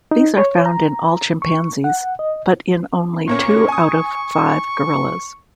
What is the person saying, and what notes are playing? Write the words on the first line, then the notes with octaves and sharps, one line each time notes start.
These are found in all chimpanzees but in only two out of five gorillas.
D#4
C#5
A#5
C#6
F#5
D#5
A#2 A#3 C#4 C#6
G#5 D#6